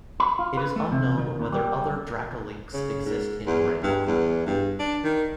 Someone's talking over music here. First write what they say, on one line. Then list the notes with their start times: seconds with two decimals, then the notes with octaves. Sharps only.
It is unknown whether other dracoliches exist in "Greyhawk".
0.20 B5
0.39 F4
0.57 B4
0.76 A3
0.91 C3
1.18 D#3
1.39 D#2
1.52 G3
2.74 C#3
3.06 G#2
3.46 E2
3.83 G2
4.07 E2
4.46 G2
4.79 D4
5.04 D#3